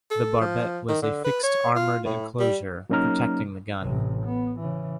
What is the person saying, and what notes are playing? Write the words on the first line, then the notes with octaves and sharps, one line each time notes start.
The barbette was a fixed armoured enclosure protecting the gun.
A4
F3
D#3
D3
B4
C#5
F4
A2
G3
F#3 A#3 C#4 D#4 A#5 F6
A1 C3
B3
C#3 E3